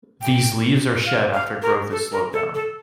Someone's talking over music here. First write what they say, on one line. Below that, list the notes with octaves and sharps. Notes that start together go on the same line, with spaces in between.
These leaves are shed after growth has slowed down.
G5
F5
F5
A#4
A4
A#4
A4
A4